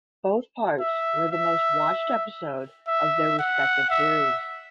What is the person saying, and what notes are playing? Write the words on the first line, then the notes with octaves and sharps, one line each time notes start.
Both parts were the most watched episode of their respective series.
E5
E5
E5
F#5
E5